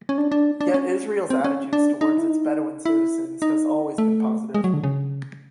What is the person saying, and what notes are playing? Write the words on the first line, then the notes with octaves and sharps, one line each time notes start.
Yet Israel's attitude towards its Bedouin citizens has always been positive.
C#4
D4
D4
D4
C#4
C4
C#4
D4
D#4
E4
D#4
E4
D#4
A3
G#3
F#3
D3
C#3